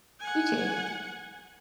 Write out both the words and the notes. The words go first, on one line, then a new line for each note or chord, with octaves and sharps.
You too.
F#5 G#5